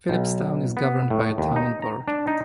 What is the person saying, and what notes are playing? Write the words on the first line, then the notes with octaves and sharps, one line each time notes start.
Philipstown is governed by a town board.
B1
B3
A2
D#2
D#4
A#5
D4
D#4